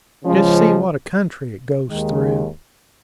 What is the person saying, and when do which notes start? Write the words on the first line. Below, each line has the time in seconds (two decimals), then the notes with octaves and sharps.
Just see what a country it goes through.
0.23 C#3 F3 G#3
1.89 D#2 D#3 G#3